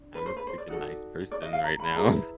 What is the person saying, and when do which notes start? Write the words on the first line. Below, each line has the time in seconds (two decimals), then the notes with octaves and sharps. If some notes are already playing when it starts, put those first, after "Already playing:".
I'm a freaking nice person right now,
Already playing: D4
0.15 B4
0.26 C5
0.36 B4
0.47 C5
0.58 D5
0.68 D#4 F#4 A4
1.32 D5
1.42 D#5
1.53 F5
1.64 A#5
1.80 B5
1.90 A5
1.95 E4 G#4 B4 A#5